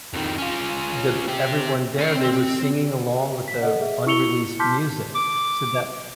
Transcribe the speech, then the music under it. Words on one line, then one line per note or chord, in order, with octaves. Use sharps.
the b everyone there, they were singing along with the unreleased music so that
F2 D#3
C#4 F4
C4 G4
C#4 C6
C4
B6
A4 D#5 F#5
G#4 E5
E4 C#6 E6 C#7 F7 G7
A5 C6 D6 F6 G6 B6
D6